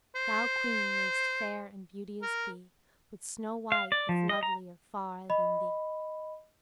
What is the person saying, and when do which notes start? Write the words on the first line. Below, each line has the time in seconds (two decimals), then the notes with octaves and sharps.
"Thou, Queen, may'st fair and beauteous be, But Snow-White is lovelier far than thee!"
0.16 C5
2.22 A#4
3.72 F5
3.92 D5
4.09 F3
4.29 D#5
4.43 A#5
5.30 D#5 B5